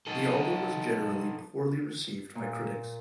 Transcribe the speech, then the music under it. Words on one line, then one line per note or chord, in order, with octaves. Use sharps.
The album was generally poorly received by critics.
D#4 A4
A#2